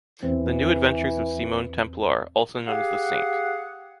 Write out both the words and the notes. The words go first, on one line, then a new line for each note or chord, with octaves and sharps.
The new adventures of Simon Templar, also known as the Saint.
E2 E3 C4
G4 G#4 F5 F#5